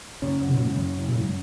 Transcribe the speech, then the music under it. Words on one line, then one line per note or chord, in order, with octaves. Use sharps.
Mhm. Mhm.
F#2 C#3 C#4
F#2
C#3
F#2
C#3
F#2